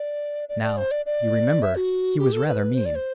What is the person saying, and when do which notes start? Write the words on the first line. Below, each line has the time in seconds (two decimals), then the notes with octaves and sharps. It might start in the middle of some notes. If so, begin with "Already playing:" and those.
Now, you remember, he was rather mean.
Already playing: D5
0.49 D5
0.63 D5
0.77 C5
0.91 D5
1.06 D5
1.62 E5
1.76 F#4
2.19 G4
2.33 A4
2.47 B4
2.75 C5
2.85 D5
2.95 C5